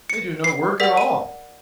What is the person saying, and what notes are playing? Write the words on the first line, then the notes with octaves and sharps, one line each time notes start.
They do no work at all.
C#7
C7
A#4 D5 F#5 B6
D#7